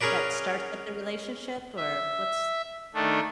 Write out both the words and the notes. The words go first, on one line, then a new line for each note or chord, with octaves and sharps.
that starts up the relationship, or, what's
C#4 G#4 A#4 B4 D5
E5
D#3 A3 D4